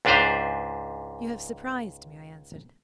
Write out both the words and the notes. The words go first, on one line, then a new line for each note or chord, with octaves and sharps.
"You have surprised me," I answered.
C#2 G#2 D4 B4 C5 A#5